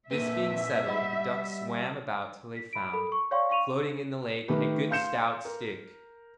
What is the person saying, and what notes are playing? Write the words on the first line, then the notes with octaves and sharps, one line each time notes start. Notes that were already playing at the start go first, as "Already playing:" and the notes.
This being settled, the ducks swam about till they found, floating in the lake, a good stout stick.
A#2 A#3 C4 B4 E5 D#7
G3 D#5 F#5 B5
B6
B5 D7
A4 A#4 B5
C#6
C#5 D5 F5 G5 C6 C#6
F5 G5 C#6 D#7 F7
D#3 A3 G4 B4
F5 C6 G6 C#7 E7
A#4